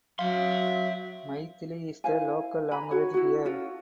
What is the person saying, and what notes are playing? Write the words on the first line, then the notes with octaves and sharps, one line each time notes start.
Maithili is the Local Language here.
F#3 E5 F5 C6
E4 C5 F5 G#5
B4 G#5 A#5 B5
F#4 C#5
E4 F#4
C#4 F4 F#4 A4